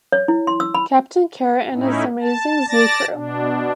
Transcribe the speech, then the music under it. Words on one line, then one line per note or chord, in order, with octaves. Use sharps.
Captain Carrot and His Amazing Zoo Crew!
C#5
E4
C6
E6
B5
A2 C#4 D#4 E4
A5
D5 A5 A6 A#6
B2 D4